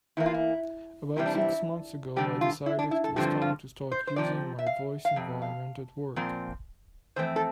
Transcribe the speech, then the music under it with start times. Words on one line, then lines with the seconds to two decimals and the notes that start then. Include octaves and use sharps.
About six months ago, I decided it was time to start using my voice environment at work.
0.17 E2 E3 A#3 E4
0.26 F4
0.34 E4
1.16 C3 E3 G3 C4 E4
1.26 D4
1.35 E4
2.16 E2 D3 G3 G4
2.41 F4
2.66 E4
2.79 D4
2.91 E4
3.04 A4
3.16 G2 D3 F3 C4 G4
3.42 F4
3.91 C5
4.07 C5
4.16 C3 F3 C4 D5
4.59 E5
4.66 F5
5.05 F5
5.16 F2 C3
5.42 F5
6.16 A#2 F3 C4
7.16 F2 E3 A3 C4 C5
7.36 A4